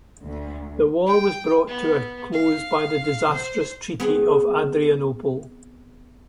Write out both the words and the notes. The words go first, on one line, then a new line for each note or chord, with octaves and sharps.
The war was brought to a close by the disastrous Treaty of Adrianople.
D2
G5
B3
F5
C5
B3 C4 G#4